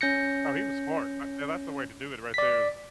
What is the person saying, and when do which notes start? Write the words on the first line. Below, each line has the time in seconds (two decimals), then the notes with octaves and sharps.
Oh, he was smart, a and that's the way to do it, right there is
0.01 C#4 G6 A#6 C#7
2.34 D5 B6